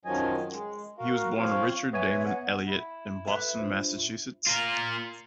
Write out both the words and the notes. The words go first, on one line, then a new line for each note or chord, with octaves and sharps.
He was born Richard Damon Elliott in Boston, Massachusetts.
F#2 D#3 F3 F#3 D#5 G#5
G#3
F#4 A#4 F5
F3 C4 F4 C#5 F5
B3 C#5 E5 G#5
F#5
E4
A4 B4 E5 F#6
D4 F4 C5
F4 A#4